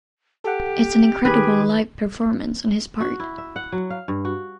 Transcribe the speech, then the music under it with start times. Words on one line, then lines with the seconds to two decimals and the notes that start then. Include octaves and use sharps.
It’s an incredible live performance on his part.
0.44 G4 A4 F#5
1.25 D#3 G4 G#4 B4
3.00 F#4
3.20 E4
3.38 E5
3.56 F#5
3.72 F#3
3.90 F5
4.08 G2
4.25 F#4